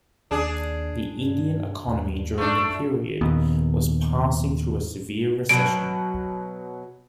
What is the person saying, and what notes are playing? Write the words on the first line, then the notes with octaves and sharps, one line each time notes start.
The Indian economy during the period was passing through a severe recession.
D#2 D4 G#4
G2
D#2
F#2 A3 D4
D#1 D#2 B3
B2 F#3 D7